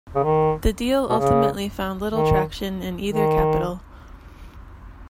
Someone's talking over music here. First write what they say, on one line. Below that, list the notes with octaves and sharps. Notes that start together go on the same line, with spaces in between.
The deal ultimately found little traction in either capital.
C#3
D#3
B2
C#3
D#3
D#3